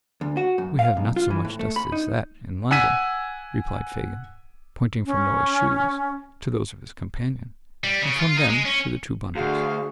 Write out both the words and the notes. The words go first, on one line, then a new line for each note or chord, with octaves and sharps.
'We have not so much dust as that in London,' replied Fagin, pointing from Noah's shoes to those of his companion, and from them to the two bundles.
D2
F#4
F#2
F5
B1
F4
E3
A2
A3
B5
D#4
F#5 G#5 E6 G#6 B6 D#7
C#4
G3
C#3
F4
D#4
G#3
C#4
D2 D3 F#4 G#4 F5